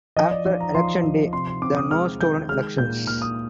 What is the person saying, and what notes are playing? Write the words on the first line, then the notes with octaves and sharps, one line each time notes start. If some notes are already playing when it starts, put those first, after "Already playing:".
After election day, the No Stolen Elections!
F3 D#5
D5
F3 D5
A#5
F3 C6
F3
C3 C6
C6
C4 D6
D#6
G#3 F6
D#3 G6
G#3 F6
A#2 G6
A#2 F6
D#6